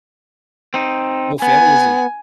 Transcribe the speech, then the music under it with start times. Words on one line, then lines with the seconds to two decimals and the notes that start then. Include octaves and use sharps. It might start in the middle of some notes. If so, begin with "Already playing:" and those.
no family is a
0.74 C4 D#4
1.42 B3 G#5